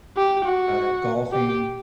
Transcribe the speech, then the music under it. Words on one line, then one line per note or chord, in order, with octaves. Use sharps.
uh, golfing,
G4
F#4
G4